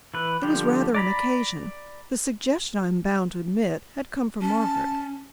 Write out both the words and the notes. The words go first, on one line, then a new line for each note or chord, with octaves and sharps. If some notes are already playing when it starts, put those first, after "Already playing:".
It was rather an occasion. The suggestion, I am bound to admit, had come from Margaret.
E3 B4
D3 F3 G3 G4
D5 A#5 B5
C#4 A5